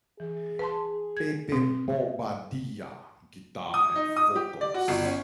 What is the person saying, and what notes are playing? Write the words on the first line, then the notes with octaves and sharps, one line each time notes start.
Pepe Bobadilla: Guitar and Vocals.
E3 G#4
B4 A5 C6
G#6
B2 C4
D#6
D#4
D#6
G4
D5
F#4
G1
C#4